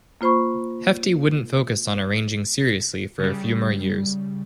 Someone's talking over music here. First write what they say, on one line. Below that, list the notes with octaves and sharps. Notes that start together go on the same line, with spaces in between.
Hefti wouldn't focus on arranging seriously for a few more years.
A#3 F4 C5 B5 C#6
C#3 G3